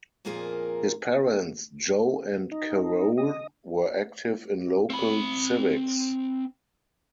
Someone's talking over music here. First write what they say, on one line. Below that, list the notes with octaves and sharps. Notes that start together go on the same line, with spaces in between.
His parents, Joe and Carole, were active in local civics.
F2 A#2 A#3 F4 G#4 A#4
D#4
D#5
C4 B5